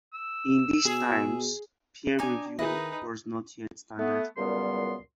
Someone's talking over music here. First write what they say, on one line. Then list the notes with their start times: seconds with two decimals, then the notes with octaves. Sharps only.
In these times, peer-review was not yet standard.
0.14 E6
0.85 B2 G#4
2.19 D4 D#4 G4 G#5
2.59 D#3 D#4 E4 G#4 B4 D#5
3.97 A3 B3
4.37 C#2 F#2 A#2 G3 B3 C6